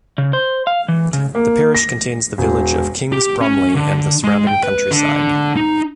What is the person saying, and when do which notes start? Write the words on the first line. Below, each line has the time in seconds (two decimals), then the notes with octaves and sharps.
The parish contains the village of Kings Bromley and the surrounding countryside.
0.18 C#3
0.33 C5
0.67 F5
0.88 E3
1.13 C#3
1.35 A#3
1.75 A#6
2.38 E1
3.12 G4
3.41 C#4
3.76 D3
4.24 G#3
4.47 G5
4.63 B4
4.91 D3
5.57 D#4